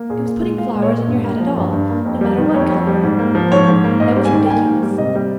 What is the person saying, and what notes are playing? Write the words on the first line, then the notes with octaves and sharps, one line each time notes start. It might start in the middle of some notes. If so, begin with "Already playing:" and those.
It was putting flowers on your hat at all, no matter what color they were, that was ridiculous.
Already playing: A#3
A#2 G#4
A#2
G#3
G#3 F5
A#2
C#5
A#2
G2
A#3
F3
G2
G2
A#3
F2
G3
D#3
F2 C#5
F2
G3
G#2
A#3
F3
G#2 C#5
G#2
A#3
G#2 D#5
G3
G#5
D#3
G5
A#3 G#5
G#2
G3
C3 D#5
G3